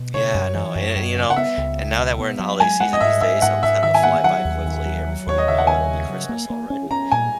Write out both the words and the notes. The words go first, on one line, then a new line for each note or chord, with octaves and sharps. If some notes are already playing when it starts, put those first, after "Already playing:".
Yeah, no, and and you know and now that we're in the holiday season, these days all tend to fly by quickly. Here before you know it'll be Christmas already.
Already playing: B2
C#3 C#5
F#2
E3
F#2
F#2
C#3
F#5
B3 E5
C#2
C#2
B2
B3
F#3
G#3 G#5
G#3 F#5
D#5
G#2 E5
G#2 E5
G#2 F#5
G#2 E5
D#3 E5
G#5
A#3 F#5
F#3 F#5
D#2
D#2
F#3
F#3
D#2 C#5
D#5
C#3 E5
F#5
D#2 G#5
C#3
F#3
A#3
A#3
C#4
C#4 A#5
A#2 G#5